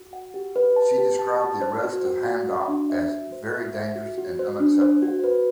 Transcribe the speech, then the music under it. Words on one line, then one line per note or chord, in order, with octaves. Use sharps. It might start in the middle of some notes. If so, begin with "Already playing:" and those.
She described the arrest of Hamdok as "very dangerous and unacceptable".
Already playing: F#4
F#5
G4
B4
A5
G4
A5
A5
C5
F#4
F#4
F#5
F#4
D4
E5
F#4
C5
E5
E5
F#4
F#4
C5
D4
C5
F#4
B4